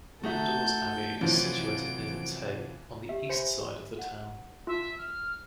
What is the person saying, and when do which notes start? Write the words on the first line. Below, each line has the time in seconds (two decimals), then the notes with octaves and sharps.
Lindores Abbey is situated near the Tay, on the East side of the town.
0.23 A3 D#4 F#4 G#4 A4 E5 G6
1.21 F#2 C3 E3 F3 D7
3.09 G4 E5
3.30 C5 E5 G#5 B5 C#7
3.99 F#5
4.67 F4 E5 A5
4.98 F6